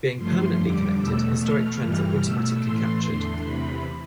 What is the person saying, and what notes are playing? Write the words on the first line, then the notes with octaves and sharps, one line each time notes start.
Being permanently connected, historic trends are automatically captured.
G2 F3 A3 C6
F2 D3 G3 D6
E2 B2 A3 E6
B2 A3 F6
G2 E3 G3 F6
B2 A3 E6
A2 E3 A3 C6
E2 D3 A3
E2 C3 E3 B5